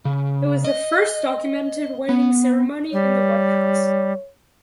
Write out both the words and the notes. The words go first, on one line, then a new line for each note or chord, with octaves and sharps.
It was the first documented wedding ceremony in the White House.
C#3
D#5
B3
G3 C#5